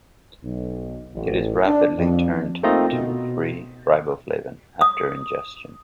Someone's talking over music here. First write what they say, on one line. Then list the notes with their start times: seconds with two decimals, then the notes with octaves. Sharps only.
It is rapidly turned to free riboflavin after ingestion.
0.43 B1
1.14 A1
1.65 D4
1.97 F2
2.63 A3 A#3 C4 D#4 F4 D#5
2.93 B2
4.81 D#6